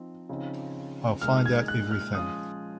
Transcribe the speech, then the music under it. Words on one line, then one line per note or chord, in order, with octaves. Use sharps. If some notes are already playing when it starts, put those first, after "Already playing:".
I'll find out everything.
Already playing: F3 C4 D#4
C#3 F3 C4 D#4
A#2 G#3 D#4 F6
G#6
F#6
F6
F3 G#3 C#4 F4 D#6